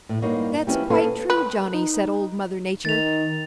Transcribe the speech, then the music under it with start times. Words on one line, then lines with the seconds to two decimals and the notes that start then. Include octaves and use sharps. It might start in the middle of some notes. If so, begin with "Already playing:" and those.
"That's quite true, Johnny," said Old Mother Nature.
0.09 A2
0.22 G2 A#3 D#4 F#4 C#5
0.67 F3 B3 C#4 E4 F#4 G4
0.90 A#3 C#4 G#4 A4 B4 C5
1.30 B4
1.74 D#4
2.85 D#3 A6 F7